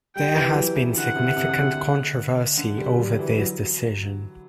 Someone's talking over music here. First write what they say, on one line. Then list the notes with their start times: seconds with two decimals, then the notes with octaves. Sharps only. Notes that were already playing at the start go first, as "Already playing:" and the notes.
There has been significant controversy over this decision.
0.15 G3 G5
0.36 E3
0.55 F#3
0.76 E3
0.96 D3 F#5
1.16 C3
1.37 C3
1.49 C3
1.57 D3
2.57 D3
2.78 G3
2.98 F#3
3.19 E3
3.38 F#3